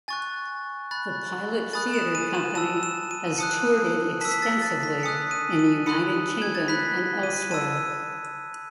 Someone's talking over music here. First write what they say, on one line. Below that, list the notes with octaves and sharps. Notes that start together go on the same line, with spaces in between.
The Pilot Theatre Company has toured it extensively in the United Kingdom and elsewhere.
G#5 C#6 F#6 A6
B5 F#6 A6
G#5 B5 D#6 F#6 A6
E7
D#7
E7
A5 E6 E7
E7
D#7
A5 D#6 F#6 C#7
A5 E6 B6
B6
A6
A6
B6
G#5 D#6 F#6 C#7
D#7
D#7
B5 D#6 F#6 C#7
G#6
A6
B5 F#6 B6
D#7
A5 E6 D#7